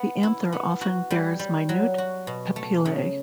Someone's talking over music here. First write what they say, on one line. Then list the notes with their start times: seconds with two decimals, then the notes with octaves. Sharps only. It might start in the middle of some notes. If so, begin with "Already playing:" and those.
The anther often bears minute papillae.
Already playing: B3
0.23 E4
0.52 B3
0.81 F#4
1.10 G3
1.39 G3
1.69 F#3
1.98 F#4
2.27 B2
2.56 A3
2.85 C#3